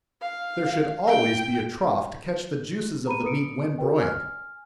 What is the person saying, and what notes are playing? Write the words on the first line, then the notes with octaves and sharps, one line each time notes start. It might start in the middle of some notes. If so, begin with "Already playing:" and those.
There should always be a trough to catch the juices of the meat when broiled.
F5
G5
A#5 B5 D#7
A4 B4 D#6 C#7 D7
F#4 A#4 B4 G5
G#5 F6